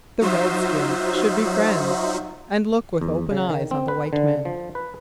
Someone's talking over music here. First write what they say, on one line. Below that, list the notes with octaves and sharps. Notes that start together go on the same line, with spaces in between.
The red-skins should be friends, and look with open eyes on the white men.
F#3 D#4 F4 F#4 C5 E5
E2
C#3
D#3
C4
B4
D3
F3
B4